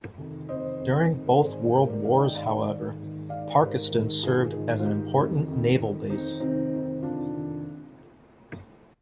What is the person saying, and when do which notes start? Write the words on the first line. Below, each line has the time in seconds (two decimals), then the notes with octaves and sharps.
During both World Wars, however, Parkeston served as an important naval base.
0.18 F2 C3 D#3
0.49 F2 C3 D#3 C5 D#5
0.80 F2 C3 D#3
1.11 F2 C3 D#3
1.27 A#4 D5
1.42 G#2 D#3 G#4 C5
1.74 G#2 D#3 G4 A#4
1.90 A#4 D5
2.04 G#2 D#3 D5 F5
2.21 D#5 G5
2.36 G#2 D#3 D5 F5
2.67 G#2 D#3
2.98 G#2
3.03 D#3
3.29 G#2 D#3 D5 F5
3.55 C5
3.60 G#2 D#3 G4 A#4
3.91 G#2 D#3
4.22 G#2 D#3 F4 G#4
4.54 G#2 D#3
4.79 F4
4.85 G#2 D#3 D#4 G4
5.17 F2 D#3
5.48 F2 D#3
5.78 F2
5.83 D#3
6.10 F2 D#3 C4 D#4
6.40 F2 C3 D#3 C4 D#4
6.73 F2 C3 D#3
7.03 F2 C3 D#3 D4 F4
7.34 F2 C3 D#3